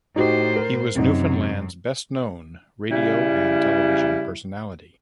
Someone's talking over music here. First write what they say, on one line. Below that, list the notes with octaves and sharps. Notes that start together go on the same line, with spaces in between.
He was Newfoundland's best known radio and television personality.
A2 D#4 F#4 G4 C5
A#4
F#2 C3 D#4
C#3 G3 E4